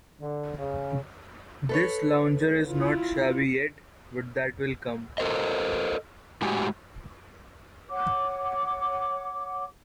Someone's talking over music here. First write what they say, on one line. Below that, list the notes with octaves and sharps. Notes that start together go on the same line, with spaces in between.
This lounger is not shabby yet, but that will come.
D3
C#3
A4 B4 C#5
E4 F4
A4 A#4 C5 D#5
A2 G#3 E4 F#4 G4 G#5
C#5 F#5 D6